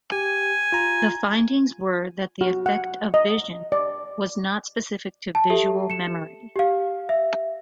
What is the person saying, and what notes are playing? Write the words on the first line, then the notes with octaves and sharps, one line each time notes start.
The findings were that the effect of vision was not specific to visual memory.
G4 G#5
F4 A#5
F#4
F#5
D#5
D5
A5
G4 A4 E5
C#7 E7
G4 F5
E5